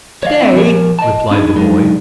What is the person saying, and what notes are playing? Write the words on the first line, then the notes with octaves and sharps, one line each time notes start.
"To-day!" replied the boy.
C#5 D#5 F5
C4 D4 E4 D5
F3 A#4 C#5
D#5 A5
D4 D#4 G#4 B5
F#3 G#3 D4 D#4